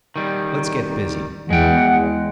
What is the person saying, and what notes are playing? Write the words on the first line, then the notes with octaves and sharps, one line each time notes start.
Let's get busy.
D#3 G3
E2 G#3 F#5 G5